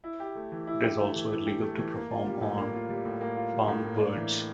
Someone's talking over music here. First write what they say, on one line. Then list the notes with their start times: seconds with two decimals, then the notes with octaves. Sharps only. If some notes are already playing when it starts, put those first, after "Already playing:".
It is also illegal to perform on farmed birds.
0.04 E4
0.20 G4
0.35 A3
0.52 E3
0.67 E4
0.84 G4
0.99 A3
1.15 E3
1.31 E4
1.46 G4
1.63 A3
1.78 E3
1.94 A#3
2.10 F4
2.26 G3
2.41 A2
2.58 A#3
2.74 F4
2.89 G3
3.05 A2
3.21 A#3
3.36 F4
3.53 G3
3.68 A2
3.85 A#3
3.99 D4
4.16 E3